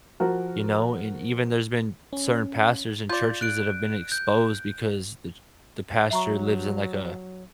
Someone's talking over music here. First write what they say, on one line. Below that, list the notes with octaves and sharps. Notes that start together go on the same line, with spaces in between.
you know, and even there's been certain pastors and churches that have been exposed because the ch the pastor lives in like a
F3 F#4 A#4
C#4
F4 D5 G6
F#6 D7
G6
F#3 E5 A#5 C#6